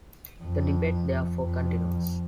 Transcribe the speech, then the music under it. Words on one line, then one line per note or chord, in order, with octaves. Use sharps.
The debate therefore continues.
F2
F2